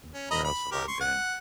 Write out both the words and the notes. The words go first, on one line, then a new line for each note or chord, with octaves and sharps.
like, where else have I been?
C#4
D#5 A#5 B5
B5
G4 A#4
C6 C#6
F#5